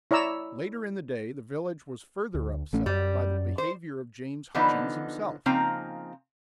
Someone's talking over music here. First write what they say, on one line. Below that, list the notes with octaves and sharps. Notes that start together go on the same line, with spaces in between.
Later in the day the village was further upset by the behaviour of James Hutchings himself.
E4 C#5 D5 A#5 E6
D2
A1 A3 C#4
F#2 G3
C5
D3 E3 F3 B3 D#4
C#3 F3 A#3 C4 D#4 A#5